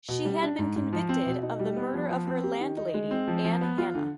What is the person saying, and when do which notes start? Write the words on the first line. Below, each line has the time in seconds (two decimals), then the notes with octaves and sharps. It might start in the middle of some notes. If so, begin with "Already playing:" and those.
She had been convicted of the murder of her landlady Ann Hannah.
0.09 B2
0.25 G3
0.42 D4
0.59 G#2
0.76 G#2
0.93 F3
1.09 C4
1.26 B2
1.43 D#4
1.59 G3
1.77 B3
1.94 F3
2.10 F3
2.27 C4
2.44 G4
2.60 D#3
2.77 D#4
2.94 G#3
3.11 C4
3.28 F3
3.44 F3
3.61 B3
3.78 F4
3.95 D3